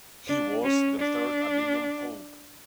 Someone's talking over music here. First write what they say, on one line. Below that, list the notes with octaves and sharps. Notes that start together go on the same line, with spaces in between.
He was the third Avignon Pope.
D4
C#4
D4